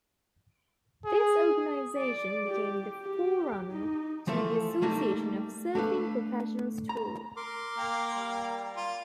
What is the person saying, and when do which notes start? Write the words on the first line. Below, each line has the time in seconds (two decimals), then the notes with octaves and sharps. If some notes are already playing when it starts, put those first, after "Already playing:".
This organization became the forerunner to the Association of Surfing Professionals tour.
1.05 G#4
1.97 D5
2.48 G4
3.02 G4
3.71 D#4
4.27 E3 F3 A3 A4 E5
4.82 G3 A3 A#3 D#4
5.75 A3 D4 A4 B4 F5
6.89 A#5
7.37 A#4 C6 D6
7.77 A#3 G5
8.15 G3
8.76 F4 C6